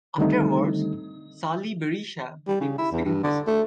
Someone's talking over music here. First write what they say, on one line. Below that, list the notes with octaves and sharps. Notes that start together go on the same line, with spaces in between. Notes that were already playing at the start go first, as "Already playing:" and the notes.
Afterwards, Sali Berisha became the second President.
D3 D#3 G3 A3 C4 D#4
G3
C#3
E4
E2
G2
D3
A3